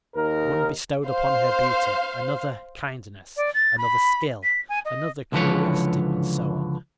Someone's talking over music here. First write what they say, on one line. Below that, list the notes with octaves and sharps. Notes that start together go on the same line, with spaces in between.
One bestowed upon her beauty, another, kindness, another, skill, another, curiosity, and so on.
D#2 D#4 A#4
C5 F5
D5
A6
B5
B6
G#5
D#5
C#2 D3 E3 F3 B4 C#5